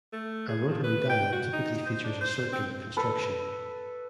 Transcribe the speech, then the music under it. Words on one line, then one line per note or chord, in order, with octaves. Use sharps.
A rotary dial typically features a circular construction.
A3
G#4
F3
B4
G5
F#4
D#4
C5
D4
C5
C4
A4 B4